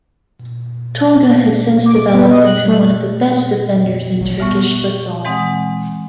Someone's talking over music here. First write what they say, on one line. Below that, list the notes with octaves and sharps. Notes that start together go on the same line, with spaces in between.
Tolga has since developed into one of the best defenders in Turkish football.
D6
B3
D#5
F#6
A3
A1 D2 F#3
G3 B3 F#5 C#6
E3 G#3 C4 F#5 D#6